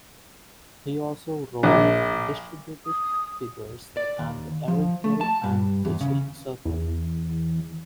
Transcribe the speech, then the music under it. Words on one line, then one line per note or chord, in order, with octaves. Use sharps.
He also wrote on distributist figures and the Eric Gill and Ditchling circle.
A#1
D#6
D5
D#2
F3
A3
A5
G2
E2
C#3
E2